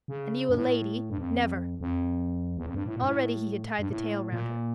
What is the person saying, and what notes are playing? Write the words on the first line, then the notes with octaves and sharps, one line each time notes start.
"And you a lady; never." Already he had tied the tail round her.
C#3
G2
A2
G2
F2
F2
E2
F2
G2
A2
A#2
G2
A2
G2
A2
A#2